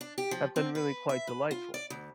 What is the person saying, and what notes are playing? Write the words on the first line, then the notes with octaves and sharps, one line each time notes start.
have been really quite delightful.
D4
G4
F3
C4
B4
E5
B4
F4
D5
D2